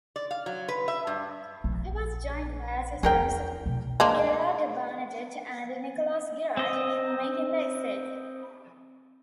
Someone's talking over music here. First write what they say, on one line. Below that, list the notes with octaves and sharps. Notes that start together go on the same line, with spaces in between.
He was joined by assistants Gerard Bernadet and Nicolas Girard in making the exit.
D5
F5
F#3
B4
E5
G2
A#1
E2 G#4 A#4 G5
B2 E3
G#3 A#3 D4
C4 D#5